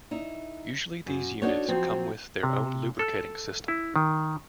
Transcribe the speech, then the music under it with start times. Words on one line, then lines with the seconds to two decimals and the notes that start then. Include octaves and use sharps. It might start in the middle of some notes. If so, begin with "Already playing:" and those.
Usually these units come with their own lubricating system.
0.11 D#4 E4
1.06 F#2
1.42 D4 D#4 F#4 A4 C#5
1.68 F3 F#3 C4
2.43 C3
2.99 A4
3.68 E4
3.96 D#3